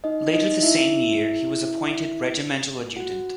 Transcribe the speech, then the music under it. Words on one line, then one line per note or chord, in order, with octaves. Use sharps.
Later the same year he was appointed regimental adjutant.
D#4 D#5
D#4 D#5
E4 E5
F#4 F#5